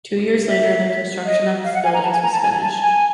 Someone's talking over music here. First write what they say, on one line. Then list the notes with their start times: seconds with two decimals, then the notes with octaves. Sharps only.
Two years later, the construction of his buildings was finished.
0.48 E5
1.26 D#5
1.65 F5
1.74 F#5
1.84 G#5
1.94 A#5
2.03 A5
2.13 G#5
2.23 A#5
2.33 A5
2.42 G#5
2.62 A5
2.81 G#5